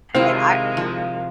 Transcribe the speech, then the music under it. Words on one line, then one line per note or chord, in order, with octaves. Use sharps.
And I
C3 D#3 G#3 C4 E4 F4 F5
F3